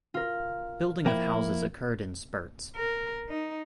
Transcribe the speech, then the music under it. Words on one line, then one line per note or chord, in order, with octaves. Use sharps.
Building of houses occurred in spurts.
F4 A#4
F3 A#3 E4 G5
A#4
D#4